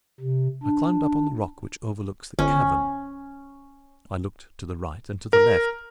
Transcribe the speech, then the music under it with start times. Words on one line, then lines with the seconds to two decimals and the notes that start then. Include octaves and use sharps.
I climbed up on the rock which overlooks the cavern; I looked to the right and to the left.
0.20 C3
0.63 D4
2.39 G1 C#4
5.33 A#4